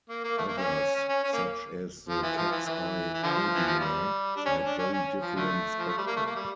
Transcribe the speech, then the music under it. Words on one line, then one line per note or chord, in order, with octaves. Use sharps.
Others, such as the Cat's Eye Nebula, had very different spectra.
A#3
A#3
A3
A#3
C#4
C#4
C#4
C#4
A#3
F3
E3
F3
E3
E3
E3
D3 F3
E3
F3
G3
D4
C#4
D4
C#4
C#4
F3
D3 F3 A3
F3
A3
G3
A#3
A3
A#3
G3